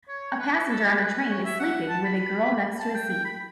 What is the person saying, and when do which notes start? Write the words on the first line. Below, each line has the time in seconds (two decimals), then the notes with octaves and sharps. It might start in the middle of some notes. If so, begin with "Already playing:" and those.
A passenger on a train is sleeping with a girl next to his seat.
0.08 C#5
0.32 C#5
0.39 B4
0.69 A4
0.84 G4
1.00 B4
1.29 C#5
1.45 E5
1.59 F#5
1.89 A5
2.05 B5
2.80 A5
2.95 G5
3.09 G5
3.25 B5